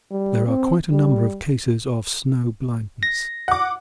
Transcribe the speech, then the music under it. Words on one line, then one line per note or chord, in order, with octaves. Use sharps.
There are quite a number of cases of snow blindness.
G3
C4
G3
A#6
F#5 D6